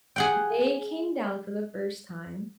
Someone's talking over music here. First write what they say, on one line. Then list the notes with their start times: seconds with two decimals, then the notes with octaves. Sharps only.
they came down for the first time
0.16 G#4 F#5 G5